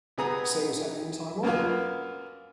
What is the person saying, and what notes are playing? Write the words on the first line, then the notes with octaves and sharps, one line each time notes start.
The same was happening in Taiwan.
C3 B3 G#4 A#5 D#6
F#2 A#3 B3 F4